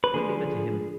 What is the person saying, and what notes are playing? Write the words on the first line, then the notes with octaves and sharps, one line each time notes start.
We'll leave it to him.
B4
D3 F3 G#4